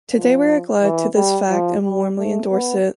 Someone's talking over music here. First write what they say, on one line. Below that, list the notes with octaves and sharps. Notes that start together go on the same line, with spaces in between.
Today we are glad to this fact and warmly endorse it.
F3
E3
G3
F3
G3
A3
B3